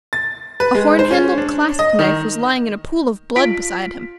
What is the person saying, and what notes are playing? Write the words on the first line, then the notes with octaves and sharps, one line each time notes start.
A horn-handled clasp knife was lying in a pool of blood beside him.
A6
B4
G#3
C5
C#4
D4
D#5
D#3
F4 B6 D7